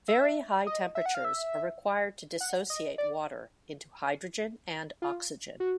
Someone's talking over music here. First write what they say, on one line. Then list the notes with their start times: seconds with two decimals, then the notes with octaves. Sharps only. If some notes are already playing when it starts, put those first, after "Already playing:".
Very high temperatures are required to dissociate water into hydrogen and oxygen.
0.08 E5
0.67 D#5
0.95 E5
1.06 F#5
1.15 F5
1.25 E5
2.40 F#5
2.70 D#5
2.98 D5
5.02 F4
5.60 F#4